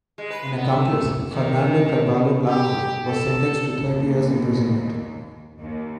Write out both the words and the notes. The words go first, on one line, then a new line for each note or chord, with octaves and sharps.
An accomplice, Fernando Carballo Blanco, was sentenced to thirty years' imprisonment.
G#3
B4
B3
A3
D#3
G4
A4
D#2
D#2